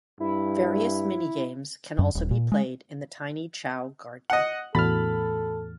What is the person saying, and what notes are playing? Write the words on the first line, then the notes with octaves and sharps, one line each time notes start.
Various mini-games can also be played in the Tiny Chao Garden.
G2 E4
F#2
D#1
A#2
G#3
D#5 F#5
E2 A2 F#4 A4 B5 F6 A6